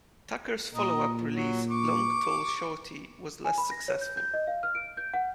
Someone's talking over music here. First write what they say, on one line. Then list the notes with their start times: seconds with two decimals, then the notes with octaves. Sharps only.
Tucker's follow-up release, "Long Tall Shorty", was less successful.
0.74 A#2 D#5 A#5
1.31 F#3
1.70 C#6 D6
3.45 G#5
3.58 B5
3.71 A#6
3.88 C#5
4.01 G6
4.17 G6
4.34 D#5
4.47 F5
4.63 F6
4.75 D7
4.97 G6
5.14 F#5